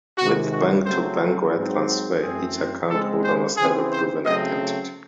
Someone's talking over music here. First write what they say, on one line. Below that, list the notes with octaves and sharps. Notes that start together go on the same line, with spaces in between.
With bank-to-bank wire transfer, each account holder must have a proven identity.
C3 D#3 G#3 F#4
F#4
C#3 F#3 A3 C4 C5
G#2 F#3 C4
F#2 E3 A3 C4 G#4
C#3 G#3 C4 A4
C5
C#3 E3 C4 G#4
C5
C#3 F#3 A3 C4 D#5